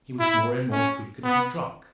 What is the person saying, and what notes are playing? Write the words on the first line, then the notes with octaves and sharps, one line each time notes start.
He was more and more frequently drunk.
E4
C#4
B3